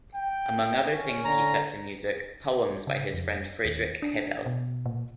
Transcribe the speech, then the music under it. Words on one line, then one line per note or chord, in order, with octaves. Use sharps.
Among other things he set to music poems by his friend Friedrich Hebbel.
G5
C#4
D3 A#5
C#3
F2
D#2
D4
B2
A#2